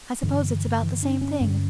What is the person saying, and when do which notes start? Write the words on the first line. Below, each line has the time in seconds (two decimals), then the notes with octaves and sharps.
I suppose it's about the same thing.
0.23 G2 D3 E3
0.83 E3
1.03 D4
1.21 C#4
1.41 G2 D3